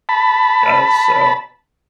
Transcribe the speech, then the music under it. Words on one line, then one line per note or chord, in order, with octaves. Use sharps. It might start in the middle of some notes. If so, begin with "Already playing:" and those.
does, so
A5 B5